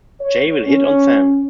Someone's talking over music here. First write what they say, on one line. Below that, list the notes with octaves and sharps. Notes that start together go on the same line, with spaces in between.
Jay will hit on Sam.
C#5
C#4